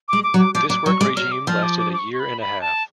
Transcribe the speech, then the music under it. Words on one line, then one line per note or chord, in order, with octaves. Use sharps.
This work regime lasted a year and a half.
G#3 D6
D6
F#3
D6
F3 D6
F#3 D6
F#3 C#6
G#3 D6
F#3 F6
D6
F3 F6
D6
D6
D6
C#6
C#6
B5
B5
A5